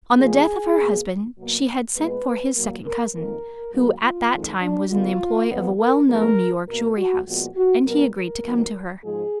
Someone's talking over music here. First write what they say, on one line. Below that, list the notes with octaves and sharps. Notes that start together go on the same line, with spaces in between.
On the death of her husband, she had sent for his second cousin, who at that time was in the employ of a well-known New York jewelry house, and he agreed to come to her.
A#2 F3 B3 G#4
B2 A#3
B2 F#3 A#3
A#2 G#3 B3 B4
A#2 F#3 A#3
A#4
F2 D#3 A#3 A#4
G#2 F#3 A#3
F4
F2 D#3 G#3
D4
D3 G#3 B3 F4
F2 F3 B3
A#4
G#2 F3 G#3 B3 A#4
B2 A#3 A#4
F#4
A#2 F3 G#3 B3 F#4
F#4
B2 F#3 B3 A#4
A#4
F2 D#3 F#3 B3
G#2 F3 G#3 G#4